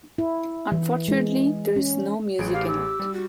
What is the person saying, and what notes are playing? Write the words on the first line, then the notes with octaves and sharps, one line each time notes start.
Unfortunately there's no music in it.
E4
E3
G#3
C#4
A1 F#3 G#4 D7
G4 F5
E6
G3
F#4